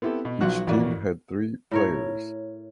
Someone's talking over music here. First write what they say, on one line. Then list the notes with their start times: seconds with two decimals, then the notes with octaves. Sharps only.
Each team had three players.
0.02 B3 C4 E4 G4 A4
0.25 B2
0.41 B1 F3 F#3 F#4 F#6
0.67 A1 F2 E4 F#4 A#4 D5
1.71 A2 A#4 C#5